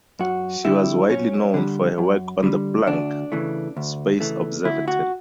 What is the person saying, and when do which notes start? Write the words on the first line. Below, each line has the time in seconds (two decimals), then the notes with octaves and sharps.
She was widely known for her work on the "Planck" space observatory.
0.19 F#2 F#4
0.65 D3 G3 E4
1.09 F#2 C#4
1.54 D3 G3
1.98 F#2
2.43 D3 G3
2.87 D2 D4
3.32 C#3 E3 A3
3.77 D2
4.20 C#3 E3 A3
4.65 D2 E4
4.88 F#4